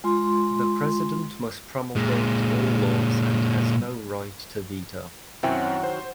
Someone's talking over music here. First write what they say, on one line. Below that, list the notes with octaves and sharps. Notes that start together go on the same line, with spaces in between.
The president must promulgate all laws and has no right to veto.
G#3 F4 C6
A#2 G#3
F#2 D#3 F#3 C4 E4 F#4 G5 G#5
C5